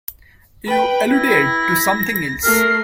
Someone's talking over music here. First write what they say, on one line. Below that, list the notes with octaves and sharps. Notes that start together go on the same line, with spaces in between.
You alluded to something else.
B4 G5
E4 A#6
A3 A#4 C7